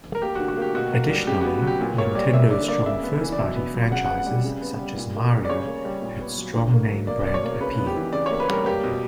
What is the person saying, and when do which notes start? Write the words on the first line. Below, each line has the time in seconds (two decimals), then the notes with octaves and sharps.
Additionally, Nintendo's strong first-party franchises such as "Mario" had strong name brand appeal.
0.15 A#4
0.22 A#3 G4
0.35 F#4
0.39 D3
0.48 F#4
0.57 A#3 G4
0.75 B2 F#4
0.92 A#3
1.09 G3
1.27 C#3 G4
1.41 B3 F#4
1.62 F#3
1.67 G4
1.81 A#2
1.98 A#3 C#5
2.15 G3 D5
2.33 A#3 E5
2.50 D3 D5
2.68 A#3 D5
2.85 C#3 E5
3.03 B3
3.21 E3
3.32 D5
3.39 B2 E5
3.56 B3
3.74 F#3
3.91 C#3 F#5
4.04 F#5
4.09 B3
4.18 F#5
4.27 G3
4.44 C#3
4.61 B3
4.79 G3
4.97 A#2
5.15 A#3
5.32 G3
5.45 D5
5.50 C#3 C#5
5.67 A#3
5.85 G3
6.02 A#2
6.20 B3
6.38 F#3
6.55 D3
6.73 A#3
6.90 F#3
7.07 A#3 D5
7.25 B2 D5
7.34 C#5
7.44 A#3
7.60 C#3 B4
7.78 B3
7.87 G4
7.96 E3
8.13 C#3 D5
8.26 A#3 C#5
8.40 B4
8.49 G3 A#4
8.66 A#3 G4
8.84 B2